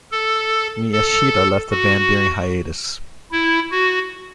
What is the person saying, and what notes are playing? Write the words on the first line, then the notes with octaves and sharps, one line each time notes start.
Miyashita left the band during hiatus.
A4
A4
F#4
E4
F#4